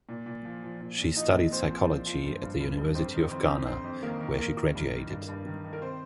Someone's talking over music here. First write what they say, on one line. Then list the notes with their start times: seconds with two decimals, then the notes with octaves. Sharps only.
She studied Psychology at the University of Ghana where she graduated.
0.09 A#2
0.26 A#2
0.45 F3
0.63 F3
0.81 A#2
0.98 A#2
1.16 F3 D#4 D#5
1.34 A#2
1.51 F3 C4 C5
1.70 F3
1.87 F3
2.06 F3
2.24 G2
2.42 G2
2.60 G2
2.77 G2
2.95 F2 C4 C5
3.13 D#3
3.31 F2 C4 C5
3.49 F2
3.66 F2 C4 C5
3.84 F2
4.02 D#3 A#3 A#4
4.21 D#3
4.38 D#3 A#3 A#4
4.56 D#3
4.75 G2
4.92 D#3
5.10 G2
5.28 G2
5.47 D#3
5.64 D#3
5.73 A#4
5.81 C4 C5